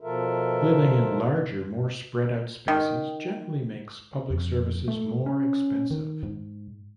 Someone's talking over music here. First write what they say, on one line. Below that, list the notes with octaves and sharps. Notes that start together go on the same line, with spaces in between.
Living in larger, more spread out spaces generally makes public services more expensive.
B2 F3 F4 A4 A#4 E5
D#3
F2
A3
C#4
D#3
G#2